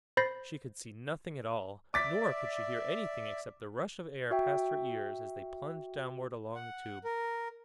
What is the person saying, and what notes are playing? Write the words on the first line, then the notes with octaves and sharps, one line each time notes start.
She could see nothing at all, nor could she hear anything except the rush of air past her ears as they plunged downward along the Tube.
C5 B5 G6 A6 A#6 C7
D5 E5 D6 A6 B6
F#4 E5 G5
F#5
A#4